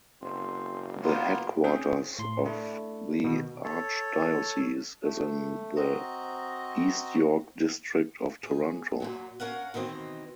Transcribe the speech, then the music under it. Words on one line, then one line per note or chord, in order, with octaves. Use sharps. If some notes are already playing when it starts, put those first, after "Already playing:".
The headquarters of the archdiocese is in the East York district of Toronto.
F#1 C4
A#3 B3 F4
C4 C#4 G#4 G5
A2 C6
A3 D4 E4
B2 D#3
A4 C#5
A3
C4 F#4 D#5 A#5
G#4
F#2 A#2 F#3
C#4 A#4 F5 F#5
B2 D#3 E3 C4 D#5